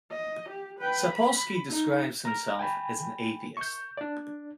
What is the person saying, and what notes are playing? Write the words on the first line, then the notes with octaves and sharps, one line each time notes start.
Sapolsky describes himself as an atheist.
D#5
G4
B4 G5
B5
D#4
A#5 F6
G5 G#5 B5
C#6 G6
D4 D5